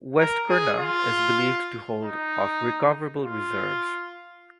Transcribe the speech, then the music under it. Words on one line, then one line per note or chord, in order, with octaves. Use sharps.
West Qurna is believed to hold of recoverable reserves.
A#4
G#4
F4
D#4
F4